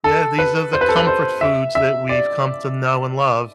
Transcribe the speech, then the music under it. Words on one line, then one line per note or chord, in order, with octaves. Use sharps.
Yeah, these are the comfort foods that we've come to know and love.
A4
B4
C5
B4
A4
B4
C5
E5
E5
D5